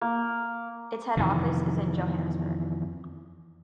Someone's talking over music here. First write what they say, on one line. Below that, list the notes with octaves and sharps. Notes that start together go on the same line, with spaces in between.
Its head office is in Johannesburg.
A#3
F2 C3 D#3 E3